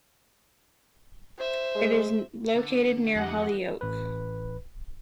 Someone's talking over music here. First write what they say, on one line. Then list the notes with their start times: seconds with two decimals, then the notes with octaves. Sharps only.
It is located near Holyoke.
1.38 C5 E5
1.75 G#3
2.55 D3
3.15 F2 E3 G4 D#5 F#5
3.81 A1 B4